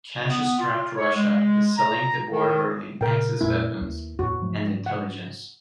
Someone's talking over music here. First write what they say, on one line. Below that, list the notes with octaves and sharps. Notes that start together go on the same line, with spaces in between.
Cash-strapped Russia is selling the Boer-Berlin Axis weapons and intelligence.
B3
F4
C#5
G#3
A#5
D#3
A#2 C#3 A#4 G5
F2 A#2 A3 E4
D#2
E2 A2 F#4
G#2 F3 A3
F#5